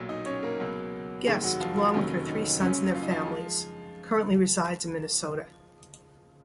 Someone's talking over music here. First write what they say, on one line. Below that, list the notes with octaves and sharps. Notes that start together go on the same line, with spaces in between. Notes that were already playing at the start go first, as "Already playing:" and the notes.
Guest, along with her three sons and their families, currently resides in Minnesota.
Already playing: B1 A#2 F#3
D#4 D#5
C#4 C#5
A#3 A#4
C#2 B2 F#3
F1 D#2 D#3 G#3 G#4
F#3 F#4
F3 F4
F3 F4
F1 D#2 D#3 F#3 C#4
D#4
F#1 F#2 C#3 F#3 C#4
F4
D#4
F3 F4
G#3